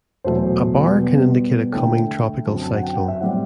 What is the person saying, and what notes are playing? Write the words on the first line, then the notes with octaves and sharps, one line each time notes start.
A bar can indicate a coming tropical cyclone.
E2 B2 F#3 A3 C5
B2 G3 B3
D3 A3 E4 G5
F#2 D3 F#3 C4 A5
A5
F#5
G5
F#5
E5
A2 G3 C4 E4 F#5